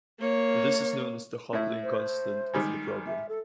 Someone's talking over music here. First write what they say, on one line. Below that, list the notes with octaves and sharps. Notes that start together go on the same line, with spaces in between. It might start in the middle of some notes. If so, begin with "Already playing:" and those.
This is known as the Coupling constant of the problem.
A#3 C#5
A2 E4
C5
D#3 G3 G#3
E5
A4